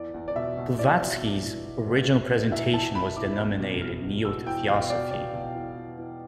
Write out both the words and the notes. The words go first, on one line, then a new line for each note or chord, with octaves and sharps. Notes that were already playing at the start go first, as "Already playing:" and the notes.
Blavatsky's original presentation was denominated Neo-Theosophy.
Already playing: E2 D5
E2
D5
B2 E5
B2
E2 D5
B2
B2
E2
E2
B2
B2
B2
E2 E5
E2 A5
E2 B5
E2 D6
B2 F6
B2
E2 F6
B2
B2 E6
E2 G5
B2 F5
B2 D5
B2 D5
B2
E2
E2
E2